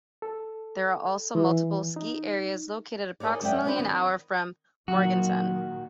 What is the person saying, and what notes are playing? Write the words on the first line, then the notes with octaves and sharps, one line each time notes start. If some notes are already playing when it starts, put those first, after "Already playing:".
There are also multiple ski areas located approximately an hour from Morganton.
A4
E3
D#4
D#4 G#4 A#4 C#5 D5
F#2 G#3 D5 E5 F#5 G5
C4 D4 F#4 B4 C5
D#3
A#2 D#3 F#3 F#4